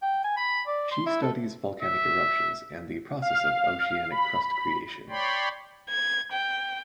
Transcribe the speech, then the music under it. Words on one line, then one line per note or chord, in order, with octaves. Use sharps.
She studies volcanic eruptions and the process of oceanic crust creation.
G5
G#5
B5
D5
C6
E4
A4
E5
F5
B5
C#5 D5 G5 B5 C6
G#6
G5